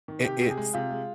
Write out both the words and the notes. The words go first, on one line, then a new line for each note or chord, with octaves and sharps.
i it's
D#3
C3 G4
C3
G#4
G#3
C3 F4
G#3